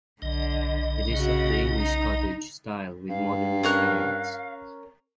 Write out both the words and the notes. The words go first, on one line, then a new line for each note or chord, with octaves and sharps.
It is of the English cottage style with Modernist elements.
B1 D3 D#5
C#3 F#4
D#4
G2 F5
C#4 A#4 F#6